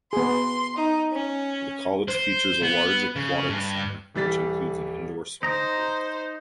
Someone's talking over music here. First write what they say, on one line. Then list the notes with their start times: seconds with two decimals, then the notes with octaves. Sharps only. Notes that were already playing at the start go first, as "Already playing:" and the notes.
The college features a large aquatics center, which includes an indoor swimming pool.
0.13 B3 G#4 C6
0.76 D#4
1.12 C#4
2.08 C5
2.63 B3
3.16 C#3
3.48 G2
4.15 D#1 E3 G3 A6 B6
5.43 D#4 C5 A#5 D#6